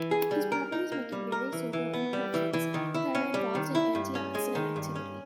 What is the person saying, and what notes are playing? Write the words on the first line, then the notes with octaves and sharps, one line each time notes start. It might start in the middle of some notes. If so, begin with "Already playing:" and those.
These properties make it very suitable in proteins that are involved in antioxidant activity.
Already playing: E3
G#4
G3
A#4
D#4
A#3
G3
A#4
E3
E3
B3
G3
E3
E3
D#3
E4
C#4
G3
D#3
E4
G2
C#4
G#3
D#3
G2
C#4